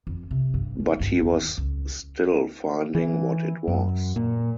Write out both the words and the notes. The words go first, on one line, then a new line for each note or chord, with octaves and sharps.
But he was still finding what it was.
F2
C3
G2
C#4
G2
D#2
C#2
E3
F#2
A#2